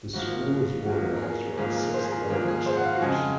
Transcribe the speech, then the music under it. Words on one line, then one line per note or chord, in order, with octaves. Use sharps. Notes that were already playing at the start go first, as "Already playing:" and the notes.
The school is organised around six Learning Stars.
G#2 F3 A#3 F#4
G#2 F3 A#3 F#4
A#4
G#4
G#2 F3 A#3 G#4
G#4
A#4
C5
G#4
A#4
G#2 F3 A#3 G#4
G#4
C5
F#5
F5
F#4
F2 C#3 G#3 G#4